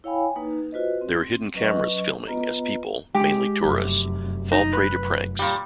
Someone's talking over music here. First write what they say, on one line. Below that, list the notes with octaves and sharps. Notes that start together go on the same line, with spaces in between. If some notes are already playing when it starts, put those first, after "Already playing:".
There are hidden cameras filming as people, mainly tourists, fall prey to pranks.
E4 C#5 F5 G5 G#5 B5
A#3 D#4 B4
F4 F#4 B4 C5 D#5
C4
F#3 C#4 B4 D#5 C#6
B3 F4 B4 D#5 A#5
G#3 G4
F1 F#2
D#4
B4
A#2 G3